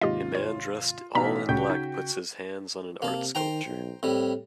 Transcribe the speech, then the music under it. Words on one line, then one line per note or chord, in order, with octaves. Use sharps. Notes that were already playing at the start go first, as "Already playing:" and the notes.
A man dressed all in black puts his hands on an art sculpture.
D#2 G#2 C3 F4 G4 D#5
C#5
A1 B2 D#4 F5 A#5 B6
D2 A#2 C#3 F#4 G5 G6
D#4
C3 A#3 A5
D#3 C5 G5 A#5
B1
A2 G3 C4